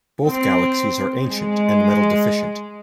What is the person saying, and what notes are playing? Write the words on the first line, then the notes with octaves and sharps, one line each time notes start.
Both galaxies are ancient and metal-deficient.
C4
G#3